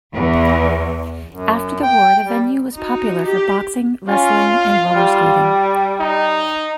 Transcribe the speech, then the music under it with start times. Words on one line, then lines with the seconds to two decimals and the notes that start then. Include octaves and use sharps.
After the war, the venue was popular for boxing, wrestling and roller skating.
0.13 E2
1.31 F#2
1.82 G5
2.24 G3
2.75 D#4 F#4
3.26 G4
4.08 C#4 F4
4.50 F5
4.95 G3
6.00 D#4